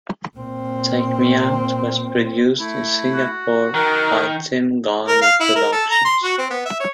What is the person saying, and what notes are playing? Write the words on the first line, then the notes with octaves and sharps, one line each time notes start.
"Take Me Out" was produced in Singapore by Tim Garner Productions.
A#2 C4
A3 E4
F#4
D#3 A#4
A#4
F5
E4
A#4
A4
A#5
C6
F#4
C4
B3
E5
C#5